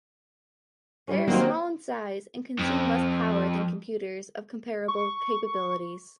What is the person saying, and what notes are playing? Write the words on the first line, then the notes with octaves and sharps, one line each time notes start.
They are small in size and consume less power than computers of comparable capabilities.
G3 C#4
D#3 F#3 A#3 C4
F2
C#6